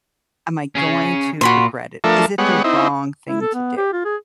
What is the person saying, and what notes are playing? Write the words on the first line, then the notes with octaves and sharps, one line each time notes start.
am I going to regret it? Is it the wrong thing to do?
C#4 G#4 C#5
A#2 F4 F#4 B5 C6
F3 A3 D4 A4 A#4 E5
G3 G#3 B3 C#5 F#5
C4 D#4 E4
E4
A4
B3
G4
F4
G#4